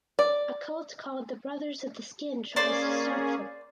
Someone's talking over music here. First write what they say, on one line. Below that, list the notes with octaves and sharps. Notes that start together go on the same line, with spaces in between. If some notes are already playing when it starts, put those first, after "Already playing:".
A cult called the Brothers of the Skin tries to stop them.
D5
A#3 C#4 G#4 C5 D5